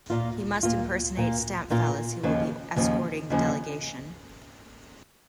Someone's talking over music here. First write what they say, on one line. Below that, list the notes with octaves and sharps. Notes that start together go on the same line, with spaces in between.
He must impersonate Stampfel, as he will be escorting the delegation.
A#2 A#3 F4
A#2 A#3 F4
A#2 A#3 F4
A#2 A#3 F4
D#2 C#3 F3
D#2 C#3 F3
D#2 C#3 F3